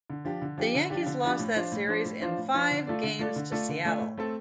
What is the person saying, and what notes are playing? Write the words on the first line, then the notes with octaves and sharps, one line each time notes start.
The Yankees lost that series in five games to Seattle.
D3
F3 D4 G4
D3
F3 D4 G4
D3
F3 D4 G4
D3
F3 D4 G4
A2
F3 D4 F4 C5
A2
F3 D4 F4 C5
A2
F3 D4 F4 C5
A2
F3 D4 F4 C5
D3
A3 F4 A4 D5
D3
A3 F4 A4 D5
D3
A3 F4 A4 D5
D3
A3 F4 A4 D5
A2
A3 C4 A4